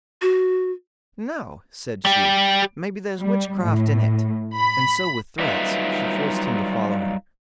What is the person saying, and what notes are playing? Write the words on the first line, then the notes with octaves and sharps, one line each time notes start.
'No', said she, 'maybe there's witchcraft in it'; and so with threats she forced him to follow her.
F#4
G3 G4
G3
A2
B5
F#3 G3 D#4 F4 B4 E5